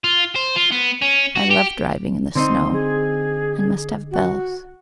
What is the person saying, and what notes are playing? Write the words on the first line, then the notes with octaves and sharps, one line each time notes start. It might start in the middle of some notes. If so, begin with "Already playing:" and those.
I love driving in the snow ... and must have bells....
F4
C5
F4
B3
C#4
F#4
G4
D3 C4 D#4 C6
G#4
F#4